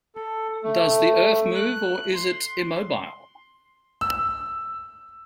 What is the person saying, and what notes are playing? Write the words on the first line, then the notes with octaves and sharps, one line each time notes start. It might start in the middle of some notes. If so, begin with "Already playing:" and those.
Does the Earth move or is it immobile?
A4
A3
F#6
C6
E6